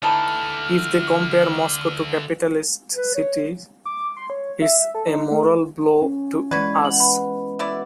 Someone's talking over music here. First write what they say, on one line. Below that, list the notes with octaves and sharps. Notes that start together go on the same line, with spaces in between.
If they compare Moscow to capitalist cities, it's a moral blow to us.
D3 E3 A3 D#4 A4 F6
B4
C#5
D6
C6
C#5
E5
E5
A4
D#4
A3
C#4
E3 G#3 F#4 B4 D5 G#6 B6
B3 F#7
B5
A3 E4 F#4 B4 D5 F#5